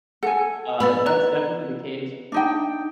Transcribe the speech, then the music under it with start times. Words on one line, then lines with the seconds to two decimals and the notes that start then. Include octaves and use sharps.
uh, that's definitely the case
0.23 A4 F#5 G#5
0.80 B3 B5 E6 A6
1.06 B4 A#5 F#6
2.32 D4 D#4 G5